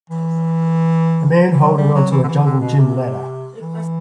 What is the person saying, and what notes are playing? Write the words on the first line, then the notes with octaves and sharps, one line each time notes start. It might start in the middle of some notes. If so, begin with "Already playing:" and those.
A man holding onto a jungle gym ladder.
E3
E3
F#3
G3
F#3
E3
D3
E3
D3
B2
C3
E3